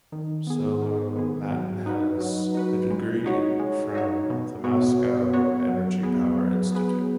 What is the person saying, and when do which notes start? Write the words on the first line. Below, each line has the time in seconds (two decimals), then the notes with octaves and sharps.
Solomatin has a degree from the Moscow Energy Power Institute.
0.12 D#3
0.47 B3 G#4
0.82 D#3
1.16 B3 G#4
1.51 F#3
1.86 D#4 F#4 B4
2.20 F#3
2.55 D#4 F#4 B4
2.90 G#3
3.25 D#4 F#4 C#5
3.59 G#3
3.95 D#4 F#4 C#5
4.30 B2
4.64 B3 F#4 C#5
4.99 B2
5.33 B3 F#4 C#5
5.68 F#3
6.03 B3 G#4 B4
6.37 F#3
6.72 B3 G#4 B4